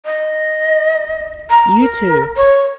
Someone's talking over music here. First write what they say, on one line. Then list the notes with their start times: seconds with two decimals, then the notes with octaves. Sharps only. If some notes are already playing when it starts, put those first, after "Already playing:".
You too.
0.05 D#5
1.50 A#5
1.80 A#4
2.36 C#5